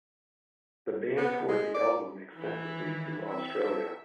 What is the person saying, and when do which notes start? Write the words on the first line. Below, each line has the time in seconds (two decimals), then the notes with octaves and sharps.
The band toured the album extensively throughout Australia.
1.17 B3
1.48 G#3
1.74 D5
2.36 E3 E4
2.73 D#3
3.30 C4 E5
3.60 A4